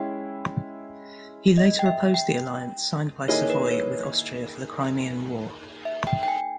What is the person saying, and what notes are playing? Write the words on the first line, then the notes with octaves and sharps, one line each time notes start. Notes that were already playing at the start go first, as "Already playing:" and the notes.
He later opposed the alliance signed by Savoy with Austria for the Crimean War.
Already playing: G#3 C#4 E4 G5
D#5
G5
E5
G5
D#3 A#3 E4 G#4 C#5 D#5
C#5
B4
B4
C#5
E5
G5
G5
G#5